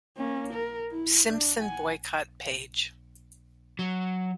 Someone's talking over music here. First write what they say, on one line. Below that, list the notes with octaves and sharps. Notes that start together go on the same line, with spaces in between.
Simpson Boycott Page.
A#3 C#4
A#4
E4
D4
F#5 G#5
F#3